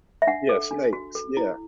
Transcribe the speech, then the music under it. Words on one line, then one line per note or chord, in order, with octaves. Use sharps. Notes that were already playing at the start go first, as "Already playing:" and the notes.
Yeah, snakes. Yeah.
E5
D4 F#5
A4
D4
F#4
A4
E4